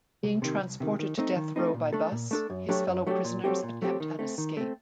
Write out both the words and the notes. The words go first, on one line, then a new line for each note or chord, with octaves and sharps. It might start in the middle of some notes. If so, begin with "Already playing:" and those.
Being transported to death row by bus, his fellow prisoners attempt an escape.
C2
C3 D#3
C2
C3 D#3
D#3
A3 C4 D#4
D#3
A3 C4 D#4
A#2
A3 D4 A4
A#2
A3 D4 A4
F#2
F#3 A3 D4 G4
F#2
F#3 A3 D4 G4
A#2
F#3 A3 C4 G4
A#2
F#3 A3 C4 G4
D#3
A3 C4
D#3
A3 C4